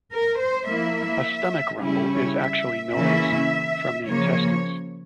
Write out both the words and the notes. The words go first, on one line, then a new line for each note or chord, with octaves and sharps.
A stomach rumble is actually noise from the intestines.
A#4
C5
F3 A#3 E4 E5
C#3 G3 C#4 E4
C#5
E5
C#3 E3 A#3 C#4 E4 E5
C#3 F3 A#3 C#5